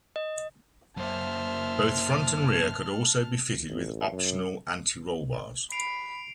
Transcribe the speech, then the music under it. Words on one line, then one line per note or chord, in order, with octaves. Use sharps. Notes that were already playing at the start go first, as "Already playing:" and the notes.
Both front and rear could also be fitted with optional anti-roll bars.
D#5
F#2 A#3 C5 E5 A5 F6
A1
F#2
B5 C7 D7 F7